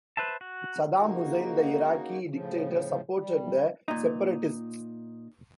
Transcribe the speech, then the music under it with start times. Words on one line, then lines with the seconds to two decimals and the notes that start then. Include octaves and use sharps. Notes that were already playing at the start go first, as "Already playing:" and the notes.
Saddam Hussein, the Iraqi dictator, supported the separatists.
0.17 B4 C5 E5 A5
0.41 F#4
0.98 C#3 A#3 D#4 F#4
2.29 A2 C#3 F3
3.16 G3
3.88 A#2 D#4